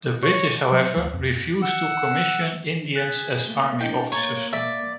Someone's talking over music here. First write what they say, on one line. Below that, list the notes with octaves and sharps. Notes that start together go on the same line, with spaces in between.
The British, however, refused to commission Indians as army officers.
C#5
F#3
D2
F2
F#5 E6
G#4 F#6 A6 B6
A3 A#3 G7
C3 D4 E4 D#5 G5
A2 A#3 C#5 A#5 A6
D5 E5 B6 D7